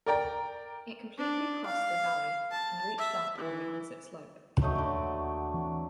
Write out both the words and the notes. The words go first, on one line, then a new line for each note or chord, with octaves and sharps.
It completely crossed the valley and reached up on the opposite slope.
A#4 D5 G5 A#5
D4
F5
A5
E5
E3
F#3 A3 D#4
D#2 D3 D5
E3 C4